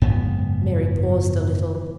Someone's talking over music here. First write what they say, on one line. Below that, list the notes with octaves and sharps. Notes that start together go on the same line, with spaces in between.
Mary paused a little.
F#1 G#2 B3